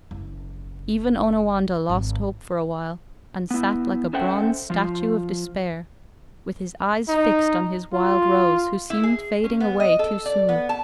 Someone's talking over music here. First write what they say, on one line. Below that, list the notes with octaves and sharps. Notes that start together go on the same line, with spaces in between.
Even Onawandah lost hope for a while, and sat like a bronze statue of despair, with his eyes fixed on his Wild Rose, who seemed fading away too soon.
F#1
G#1
B3 E4
C#4 A4 C5 E5 F#5 G5
F3 F4
D#4
F4
E4
G#4
C#4
B3
D#5
A4
D5
B3
A5